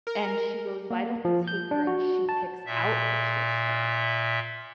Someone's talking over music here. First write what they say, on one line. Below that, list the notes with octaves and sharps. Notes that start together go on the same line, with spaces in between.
and she goes, "Why don't you take her, and she picks out her sister,"
A#4
A#3
F3
G6
D4
F#4
A5
A#2 E5